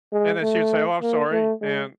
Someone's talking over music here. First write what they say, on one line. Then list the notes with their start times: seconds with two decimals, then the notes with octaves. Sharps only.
and then she would say, "Oh, I'm sorry," and
0.13 G#3
0.42 A3
1.02 A#3
1.32 A3
1.61 G#3